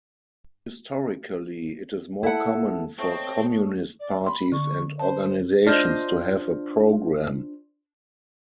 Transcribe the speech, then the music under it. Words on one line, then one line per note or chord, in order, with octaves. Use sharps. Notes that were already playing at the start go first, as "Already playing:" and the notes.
Historically it is more common for communist parties and organizations to have a program.
E4 A4 F#5
A3 C4 C#5 D#5
D5
B5 C6
D3 C#6
C5 A5
D4 F4 C5 D#5